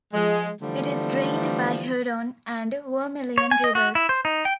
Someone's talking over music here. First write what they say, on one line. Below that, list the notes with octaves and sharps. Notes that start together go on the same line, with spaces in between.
It is drained by Huron and Vermilion rivers.
F3 G#3
D3 E3 F3 G3 A3
C#5
G#5
D#5
F#4
E4
C5
D#4
G5